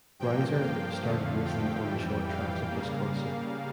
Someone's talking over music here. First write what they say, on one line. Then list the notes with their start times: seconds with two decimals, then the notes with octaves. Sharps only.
Reiser started racing on the short tracks of Wisconsin.
0.20 G2 F3 A#3 G5
0.61 F5
1.03 F2 D3 F3 A3
1.45 G5
1.87 F2 E3 G3
2.29 F5
2.71 C#3 G3 A#3
3.12 F5